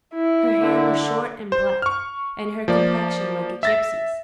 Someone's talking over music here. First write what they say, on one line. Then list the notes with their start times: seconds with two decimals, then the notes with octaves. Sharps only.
Her hair was short and black, and her complexion like a gypsy's.
0.14 E4
0.58 D3
1.52 C5
1.82 C#6 F6
2.68 F3 A#3 D5
3.63 E5 A6 A#6